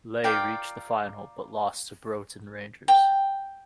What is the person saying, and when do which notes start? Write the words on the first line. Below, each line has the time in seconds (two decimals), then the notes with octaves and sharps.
Leigh reached the final but lost to Broughton Rangers.
0.24 F4 A#4 D5 G5
2.88 G5